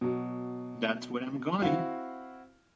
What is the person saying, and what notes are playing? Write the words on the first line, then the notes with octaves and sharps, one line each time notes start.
That's where I'm going.
B2 F#3
C4 E4 F#4 F5